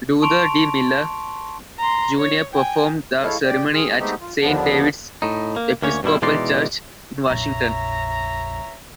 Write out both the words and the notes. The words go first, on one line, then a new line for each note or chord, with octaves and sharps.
Luther D. Miller Junior performed the ceremony at Saint David's Episcopal Church in Washington.
A5 C6 C#6 D7 F7
A#5 C6
C#5
G5 G#5
G#3 E4 A4 C#5 F5
G4 D5 G5
C4 G#4 C6 F6
G#3 A3 B3 C4 D#4 G4
F4
D#2 D3 F3 B3 D4
A2 D#4
A#3
D2 A#3 C#4 C#5
G2 B2 G3 E4
B2 E3 G#3 D#4 D5 C6
A#1 F2 C#5 E5 A#5